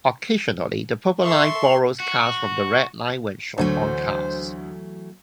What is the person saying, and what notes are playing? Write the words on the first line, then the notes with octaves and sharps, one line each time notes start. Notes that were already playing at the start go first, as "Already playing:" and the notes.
Occasionally, the Purple Line borrows cars from the Red Line when short on cars.
A4 E5 C6 C#6
F#4
D2 E3 F#3 A3 C5